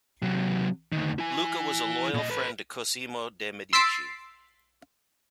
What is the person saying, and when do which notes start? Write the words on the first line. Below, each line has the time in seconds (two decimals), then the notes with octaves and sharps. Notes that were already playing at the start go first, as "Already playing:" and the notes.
Luca was a loyal friend to Cosimo de' Medici.
0.22 C3 F#3
0.92 D2 D#3
1.19 E4 G#5
2.14 A#2 D#5
2.30 A4 B4
3.73 C6 E6 A6 B6 C7 D7